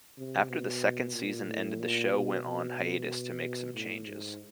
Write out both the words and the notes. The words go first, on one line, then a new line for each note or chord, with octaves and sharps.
After the second season ended the show went on hiatus to make some changes.
C3
B2
A#2
A2
A#2
B2
B2
A2
G#2